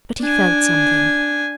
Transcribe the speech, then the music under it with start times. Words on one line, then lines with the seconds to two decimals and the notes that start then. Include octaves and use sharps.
But he felt something.
0.21 D4 G#5